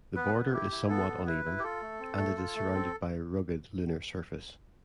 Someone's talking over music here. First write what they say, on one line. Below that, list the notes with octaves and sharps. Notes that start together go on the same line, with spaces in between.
The border is somewhat uneven, and it is surrounded by rugged lunar surface.
B3 B4
B3
E4 G4
E4
B3 A4
B3
E4 B4
E4
G4
F4 A4
A3
C4
A3
F4
A3
C4